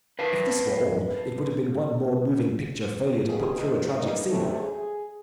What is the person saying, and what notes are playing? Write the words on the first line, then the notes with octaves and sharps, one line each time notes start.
If this were all, it would have been one more moving picture failure to put through a tragic scene.
B4 F5 A5
B2 F3 A#3 G4 G#4
C3 F3 A3 D#4
G3 A#3 B3 D#4
D2 G2 C3 F#3 A3 A4
G#4